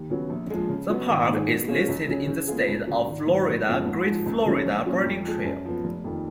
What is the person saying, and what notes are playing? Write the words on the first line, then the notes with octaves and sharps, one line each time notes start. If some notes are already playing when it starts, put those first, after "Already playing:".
The park is listed in the state of Florida Great Florida Birding Trail.
Already playing: D#2
C#3 F#3 B3
A#1
A#2 F3 G#3
C#3
F#3 B3
G#1
G#2 D#3 G#3
B2
G#3 C#4 F4 G#4
C#2
C#3 F#3 C#4 G#4
C#3
G#3 B3 F4 G#4
C#2
C#3 F#3
G#1
G#2 D#3
F#1
F#2 F3 G#3 B3
G#2
F3 G#3
C#2
C#3 F#3 C#4
A#1
A#2 F#3 C#4
F2
F3 G#3
F#2
F3 B3
F1
F2 D#3 A#3